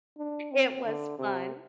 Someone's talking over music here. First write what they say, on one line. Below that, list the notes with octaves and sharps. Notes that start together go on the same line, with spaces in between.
it was fun.
D4
C4
D3
C3